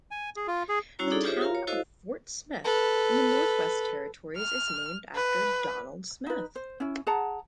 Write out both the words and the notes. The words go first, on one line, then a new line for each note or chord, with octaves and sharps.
The Town of Fort Smith in the Northwest Territories is named after Donald Smith.
G#5
G#4
F4
G#4
G3 C#4 E4 F#4 C#5 A#5
D4 D#4 G#4 A4 D5
F4 G4 G#4 C5 C#5 E5
F4 A#4 F5 A#5
C#5
E4 F#4 A4 C5 D#5 F5
A4 B4
F6
B4
D#4 B4
C5
C#4 E4
G#4 F#5 A5 A#5